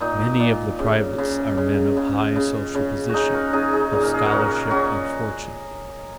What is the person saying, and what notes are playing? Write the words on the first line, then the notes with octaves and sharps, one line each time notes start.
Many of the privates are men of high social position, of scholarship and fortune.
A#2 D#4
A#2
C#3
C#3
C#3
C#3
C#3
C#3
C#3 D#4 F#4 G#4
F#4 A#4
C#3 D#4 G#4
D#4 G#4
A#2
A#4
G#4
F#4 A#4
A#2
C#3 C#4 F#4